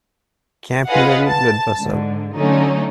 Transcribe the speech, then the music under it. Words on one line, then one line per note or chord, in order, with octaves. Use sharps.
Capillary blood vessel.
F4 G#4 B4 D#5 F5 F#5
A5
G#2 D3
D3 F#3 A3 C#4 D#4